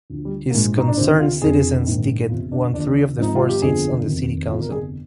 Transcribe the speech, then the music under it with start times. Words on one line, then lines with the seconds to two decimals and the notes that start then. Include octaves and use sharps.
His Concerned Citizens ticket won three of the four seats on the city council.
0.10 D2 D3 F3
0.25 G3
0.50 A#3
0.54 A#1 G#2 F3 G#3
0.77 D#4
0.88 D4
0.97 D2 C3 D#3 C4
1.20 F4
1.42 F1 F2 D3 G#4
1.87 A#1 G#2 D#3
2.30 G1 F2 C3 F4
2.52 D4
2.73 D#2 D3 F3 D4
3.18 G#1 G#2 F3 D#4
3.35 F4
3.49 G4
3.62 G1 F2 D3 F3 G#4
4.06 F1 D#2 D#3
4.50 G1 F2 C3 F4
4.61 A#4
4.72 G#4